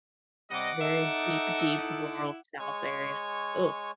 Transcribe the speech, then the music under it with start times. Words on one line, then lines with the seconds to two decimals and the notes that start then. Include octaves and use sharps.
very deep, deep rural South area, ugh.
0.51 C3 G3 D#5 F#5 D6
0.81 D#4 A4 E5
1.78 E4
2.59 G#3 C#5 G#5 C#6